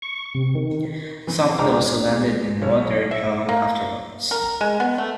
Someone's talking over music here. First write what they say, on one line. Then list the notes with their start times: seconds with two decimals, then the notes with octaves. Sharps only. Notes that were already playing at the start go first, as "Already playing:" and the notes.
Some of those who landed in water drowned afterwards.
0.02 C#6
0.34 C3
0.55 D#3
1.27 E3 C4
1.58 C#2 D4 G#4 C5 A#5 D6
2.08 G#3 C4
2.61 B1 C#5
3.11 E5
3.49 A#3
4.31 A#4
4.61 G#3
4.80 B3
4.98 A3